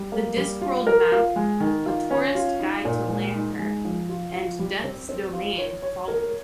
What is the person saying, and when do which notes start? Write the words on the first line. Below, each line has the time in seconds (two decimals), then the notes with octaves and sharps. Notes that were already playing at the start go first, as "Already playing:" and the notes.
"The Discworld Mapp", "A Tourist Guide to Lancre" and "Death's Domain" followed.
Already playing: G3
0.12 A#3
0.37 G3
0.62 F4
0.87 A#4
1.12 F4
1.36 G#3
1.60 D#3
1.86 F4
2.10 C#4
2.35 F4
2.60 D#4
2.85 A#2
3.10 G#3
3.35 D#4
3.59 G#3
3.85 F3
4.09 F4
4.33 F4
4.59 G3
4.84 C4
5.09 C4
5.33 F4
5.58 C#5
5.82 C#5
6.08 A#4